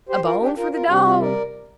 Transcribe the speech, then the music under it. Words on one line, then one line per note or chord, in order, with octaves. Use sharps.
A bone for the dog?
G4 C5
F4 A#4
D4 G4
F4 A#4
F4 A#4
C3 G3 C4 D4 G4
C4 F4
A#4 D5